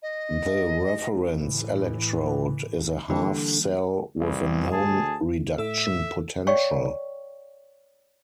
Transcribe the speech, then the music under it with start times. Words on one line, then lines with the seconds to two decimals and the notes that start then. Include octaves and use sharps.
The reference electrode is a half cell with a known reduction potential.
0.02 D#5
1.39 A2 E3
3.10 D3 E3 G3 A#3
4.20 C2 G2
4.71 D2 G#4 A5
5.58 A2 A4 E5 E6
6.47 C#5 D5 F5 G5 C#6